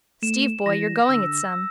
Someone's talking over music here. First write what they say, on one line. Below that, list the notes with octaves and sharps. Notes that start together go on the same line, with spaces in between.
Steve boy, you're going it some.
A3 E7
E3 A#6
D3 E6
E6